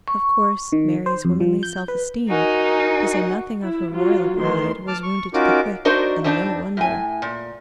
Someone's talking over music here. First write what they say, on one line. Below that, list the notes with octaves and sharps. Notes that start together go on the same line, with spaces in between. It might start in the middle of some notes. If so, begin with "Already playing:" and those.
Of course, Mary's womanly self-esteem, to say nothing of her royal pride, was wounded to the quick, and no wonder.
C#6
D#3
C5
F2
F3
G6
B4
D#4 F#4 A#4 G#5
E4
F#3 F4
D#3 E3 A3 C6
A5 D6 F6
C#6
C#4 D#4 F4 F#4 A#4 D6
D4 D#4 F#4 A#4 C5 D#5
F2 C4 D4 D#4 A5
A2 G#5
A#2